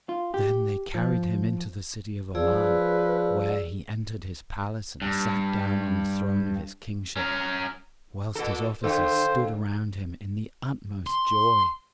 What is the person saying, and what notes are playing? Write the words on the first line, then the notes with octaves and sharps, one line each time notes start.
Then they carried him into the city of Oman, where he entered his palace and sat down on the throne of his kingship, whilst his officers stood around him in the utmost joy.
F4
G4
F3
F3 G#4 B4 D5 E6
G2
C#4 A#4
A#2 A4
D3 A4 C5 F5 G5
C6